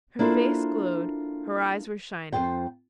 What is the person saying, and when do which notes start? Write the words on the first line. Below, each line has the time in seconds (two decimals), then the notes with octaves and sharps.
Her face glowed, her eyes were shining.
0.19 A#3 D4 E4 F4 A4 C5
2.32 F2 A#2 F4 C5 G5